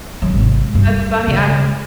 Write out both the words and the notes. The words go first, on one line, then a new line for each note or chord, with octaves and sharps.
That's funny, I'm
D3 F#3
G#1 C3
G2
C#3